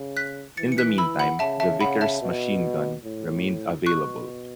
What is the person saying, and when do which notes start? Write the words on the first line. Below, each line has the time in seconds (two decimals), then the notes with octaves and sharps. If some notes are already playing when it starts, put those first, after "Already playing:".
In the meantime, the Vickers machine gun remained available.
Already playing: C#3
0.17 F#6 B6
0.57 E3 A6 C#7
0.72 C#7
0.78 F#6 B6
0.98 B5 E6
1.19 F#5 B5
1.39 C#3 E5 A5
1.60 E5 A5
1.81 C#3 F#5 B5
2.01 E5 A5
2.22 B2
3.04 A2
3.86 B2 C#6 F#6